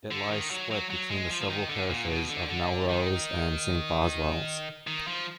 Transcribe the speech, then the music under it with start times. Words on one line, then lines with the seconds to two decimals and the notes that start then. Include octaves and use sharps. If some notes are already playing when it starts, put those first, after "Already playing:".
It lies split between the civil parishes of Melrose and St Boswells.
0.11 D3
0.31 D#3
0.51 F#3
0.71 F#3
0.90 F#3
1.10 G#3
1.30 F3
1.42 F3
1.50 D#3
1.69 D3
1.89 A#2
2.10 B2
2.29 D3
2.49 D3
2.89 D#3
4.87 D#3
5.07 F3